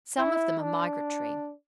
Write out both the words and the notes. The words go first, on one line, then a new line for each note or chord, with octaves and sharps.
Some of them are migratory.
E4
D4